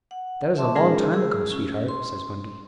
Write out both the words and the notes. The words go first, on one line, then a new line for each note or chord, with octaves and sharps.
"That is a long time ago, sweetheart," says Wendy.
F#5
E5 A5 C6 D6
G#3 C#4 D#4 F4 G#4 A#4
G#4 E6
C#4
C6